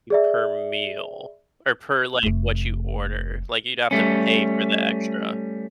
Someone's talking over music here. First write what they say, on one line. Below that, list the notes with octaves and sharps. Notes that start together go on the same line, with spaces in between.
per meal or per, like, what you order. Like, you'd have to pay for the extra
G#4 D5 E5
F1 A3
G3 A3 C#4